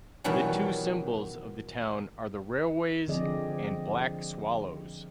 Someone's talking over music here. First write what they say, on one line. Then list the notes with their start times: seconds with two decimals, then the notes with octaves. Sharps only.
The two symbols of the town are the railways, and black swallows.
0.24 B2 D#3 E3 F#3 G3
3.08 D3 F3 C4 G#4 D5 D#5